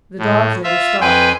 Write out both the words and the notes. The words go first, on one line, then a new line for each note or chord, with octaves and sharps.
The dogs never stopped.
A2
F4 E5
F2 B4 G5 G#5 C6